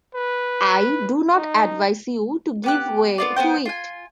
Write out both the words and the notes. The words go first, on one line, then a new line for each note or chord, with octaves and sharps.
I do not advise you to give way to it.
B4
D#4
B3 G4 F#6
B3 F4 D5
B3 C4 C5 G5
F4 G#5